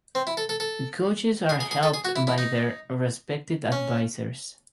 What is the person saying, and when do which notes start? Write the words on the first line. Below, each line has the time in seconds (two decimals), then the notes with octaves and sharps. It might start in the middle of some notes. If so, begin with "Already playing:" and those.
Coaches are helped by their respective advisers.
0.15 C4
0.27 E4
0.37 A4
0.49 A4
0.60 A4
1.49 G#4
1.60 G#4
1.71 G#4
1.83 A4
1.94 G#4
2.05 F#4
2.16 E4
2.27 E4
2.38 D#4
3.72 C#4